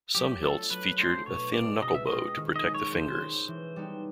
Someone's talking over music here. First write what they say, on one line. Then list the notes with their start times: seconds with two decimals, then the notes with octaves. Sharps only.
Some hilts featured a thin knuckle-bow to protect the fingers.
0.15 F#3 G4
0.42 A3 D4 F4 A4
0.70 F#3 B4
0.98 A3 D4 F4 C5
1.26 B2 C#5
1.53 G#3 C4 F4 D5
1.82 B2 D#5
1.95 E5
2.07 G#3 C4 F4 D#5
2.37 D#3
2.56 D#5
2.64 G#3 C#4
2.75 C#5
2.92 D#3 C5
3.20 G#3 C#4
3.48 E3
3.76 G3 B3 D#4